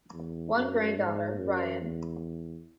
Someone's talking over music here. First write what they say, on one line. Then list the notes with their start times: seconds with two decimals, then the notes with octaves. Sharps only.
One granddaughter, Ryan.
0.13 E2
0.55 F#2
0.97 G#2
1.38 F#2
1.81 E2